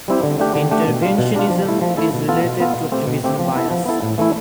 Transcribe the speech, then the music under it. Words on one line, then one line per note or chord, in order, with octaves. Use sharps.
Interventionism is related to optimism bias.
G3 C4 E4 G4
D3
A3 D4 G4
D3
A3 D4 G4
B2
G3 D4 F4
B2
G3 D4 F4
F3
A3 E4 A4
F3
A3 E4 A4
B2
B3 F4 A4
B2
B3 F4 A4
B2
A3 C4 G4
B2
A3 C4 G4
F3
B3 E4 A4
F3
B3 E4 A4
A2
E3 A3 E4